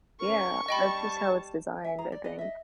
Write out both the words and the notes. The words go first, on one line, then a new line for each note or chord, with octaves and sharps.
Yeah, that's just how it's designed, I think.
C#4 A#4 C#6
G3 D#5 G5 A5 B5
E5 G#5
G#4 A#5
D5
B4 D5 D#5
D#5 E5